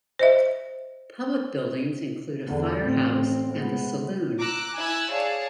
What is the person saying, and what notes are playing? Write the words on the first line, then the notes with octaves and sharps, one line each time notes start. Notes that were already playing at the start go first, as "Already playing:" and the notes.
Public buildings include a fire house and a saloon.
C5 D#5 E5
E2 D3
A1 C4
G#3 B3
A#5 D6 E6 F#6
E4 G#5 E6 F#6 G#6
G#4 C#5 D5 F5 A5